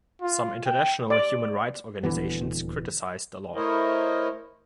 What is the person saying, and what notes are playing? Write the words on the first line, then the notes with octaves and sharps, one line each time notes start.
Some international human rights' organisations criticised the law.
F4
G5
D5
D#1 D2 E3 B3
A3 E4 A#4 C5 C#5 D#5